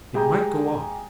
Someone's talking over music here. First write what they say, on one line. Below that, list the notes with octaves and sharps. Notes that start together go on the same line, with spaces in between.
"It might go off!"
G#3 G4 G#4 A#5 G6